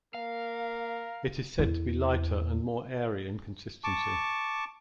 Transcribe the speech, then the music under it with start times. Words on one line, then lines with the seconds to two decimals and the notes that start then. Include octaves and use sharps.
It is said to be lighter and more airy in consistency.
0.15 A#3 A#4 F5
1.59 E2 E4
3.84 A5 C#6 D6